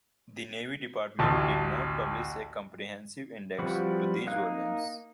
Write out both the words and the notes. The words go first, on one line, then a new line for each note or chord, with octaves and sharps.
The Navy Department did not publish a comprehensive index to these volumes.
A1 D2 A5
F3 G3 C4 F#4 B4
A#3 D#4 F5 F#6